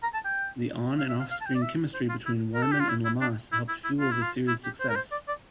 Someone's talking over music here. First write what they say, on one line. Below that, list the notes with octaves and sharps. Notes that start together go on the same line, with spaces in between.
The on- and off-screen chemistry between Wyman and Lamas helped fuel the series' success.
A#5
A5
G5
F5
E5
F5
F5
A5
G5
D5
E5
C5
F4
E4
A#4
A4
G4
F4
E4
E4
D4
E4
E4
E4
F4
E4
F4
E4
G4
C5
A#4
C5
D5
D5